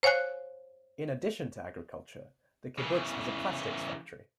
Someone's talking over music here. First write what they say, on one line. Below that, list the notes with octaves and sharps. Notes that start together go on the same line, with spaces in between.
In addition to agriculture, the kibbutz has a plastics factory.
C5 C#5 F5 G#5 F#6
C#3 E3